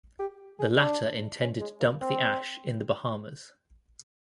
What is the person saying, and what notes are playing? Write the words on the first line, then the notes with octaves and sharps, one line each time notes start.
The latter intended to dump the ash in the Bahamas.
G4
G#4
D4
C#4
G#3
A#3
C4